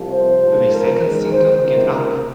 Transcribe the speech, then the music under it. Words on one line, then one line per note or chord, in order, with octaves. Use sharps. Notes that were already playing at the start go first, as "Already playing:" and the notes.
The second single Get Up!
Already playing: C2 C3 F3
C5
G#2 F3 G#3
A#4
F#2 D#3 G#3
C5
C#2 C3 D#3 A#3
A#4